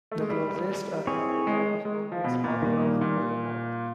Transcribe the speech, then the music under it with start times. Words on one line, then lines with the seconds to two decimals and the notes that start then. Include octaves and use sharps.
The closest other crater of note is Cockcroft to the north.
0.11 A3
0.20 G#3
0.29 G3
1.07 C4 E4 G#4 C#5
1.47 G#3
1.85 G#3
2.12 F3
2.24 B2
2.44 A#2
2.62 D#3 G3 A#3
3.01 A#2